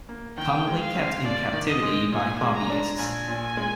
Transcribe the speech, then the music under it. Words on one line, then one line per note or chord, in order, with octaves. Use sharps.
Commonly kept in captivity by hobbyists.
A#3
D#3 G5
G#3
F5
C4
D#2 D5
D#3
D#5
G#3
A#2 G#5
G#3
A#5
D4
A#1 G#5
A#2
G#3